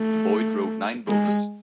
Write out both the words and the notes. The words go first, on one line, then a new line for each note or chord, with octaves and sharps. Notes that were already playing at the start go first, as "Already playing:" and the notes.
Boyd wrote nine books.
Already playing: A3
G#3